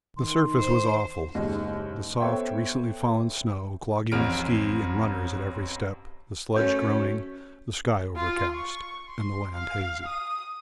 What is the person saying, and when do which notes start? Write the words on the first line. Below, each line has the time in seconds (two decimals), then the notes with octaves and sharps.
The surface was awful, the soft recently fallen snow clogging the ski and runners at every step, the sledge groaning, the sky overcast, and the land hazy.
0.17 D#3 C6
0.59 C5
1.34 F#1 D#2 G#3 D#5
2.20 B3 A4 C5 C#5 E5 G5
4.12 A1 F2 F6 D7
6.56 F#2 A3 C#4 C#5
8.16 F4
8.54 C#6
9.09 C6
9.53 F5
10.05 D#6